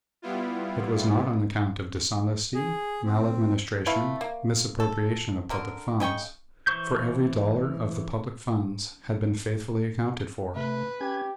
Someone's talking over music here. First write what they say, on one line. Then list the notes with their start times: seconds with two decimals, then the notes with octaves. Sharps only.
It was not on account of dishonesty, maladministration, misappropriation of public funds; for every dollar of the public funds had been faithfully accounted for.
0.22 G3 B3 E4 F4
2.55 G#4
3.05 C4
3.86 A3 E4 B4 F5
4.21 A#3
4.80 A4
5.50 D3 A#4
6.00 C#3 D#5 G5 C#6
6.67 E3 C5 C#6 G6
10.56 C3 A3 B4
11.01 C#4 G4 G#6